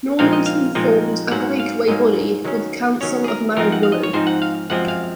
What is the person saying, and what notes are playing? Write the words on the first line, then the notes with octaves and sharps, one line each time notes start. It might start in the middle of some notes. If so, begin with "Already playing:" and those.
Normanton formed a breakaway body called the Council of Married Women.
A#2 F3 G#3 C4 D#4 F5
D#5
F5
A#2 F3 G#3 C4 D#4
G#2 F#3 A#3 F#5
F5
G#2 F#3 A#3 D#5
D#3 F#3 C#4
D#3 F#3 C#4 C#5
G#4
A#4
G#2 F3 C4 D#4 A#4
F#5
F5
D#5
C#5
G#2 F3 C4 D#4 C5
F#5
F5
F#2 F3 G#3 C4 F#5
F5